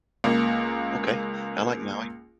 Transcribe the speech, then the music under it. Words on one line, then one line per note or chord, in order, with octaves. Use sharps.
Okay. I like Maui.
C#2 A#3